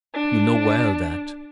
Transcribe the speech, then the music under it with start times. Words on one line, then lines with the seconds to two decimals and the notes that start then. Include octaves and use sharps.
You know well that.
0.13 D4